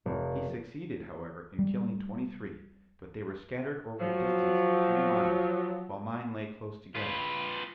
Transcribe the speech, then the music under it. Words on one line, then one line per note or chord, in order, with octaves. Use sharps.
He succeeded, however, in killing twenty-three, but they were scattered over a distance of three miles, while mine lay close together.
F1
G3
F3 F#3
F4 B4